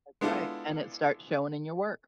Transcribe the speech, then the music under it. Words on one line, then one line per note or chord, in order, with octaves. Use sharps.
That's right, and it starts showing in your work.
G#3 B3 D4 E4 F4 A4